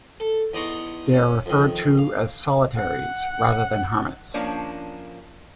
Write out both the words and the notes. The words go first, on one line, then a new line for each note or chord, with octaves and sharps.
They are referred to as "solitaries" rather than "hermits".
A4
E2 D#4 D5 A#5 C6 C#6
C#4
F2 D#3
F5
F#5
F3 A#3 C#4 D4